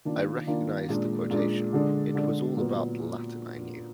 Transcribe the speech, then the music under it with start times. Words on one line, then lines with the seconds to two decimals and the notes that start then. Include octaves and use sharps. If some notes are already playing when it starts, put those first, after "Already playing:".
I recognised the quotation: it was about all the Latin I knew.
0.05 D#3 A#3 D4 F4
0.47 D#3 A#3 D4 F4
0.89 A#2 G#3 D4
1.30 A#2 G#3 D4
1.73 D3 G#3 D4
2.15 D3 G#3 D4
2.57 A#2 F#3 B3